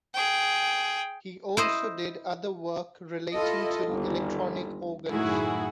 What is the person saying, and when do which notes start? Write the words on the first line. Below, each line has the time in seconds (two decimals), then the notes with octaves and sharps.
He also did other work relating to electronic organs.
0.14 G#4 G5
1.57 E4 C5 D#5
3.34 E4 F4 A4 D#5
3.85 G1 D#2
5.11 F#2 A2 D#3 E4 F#4 G#4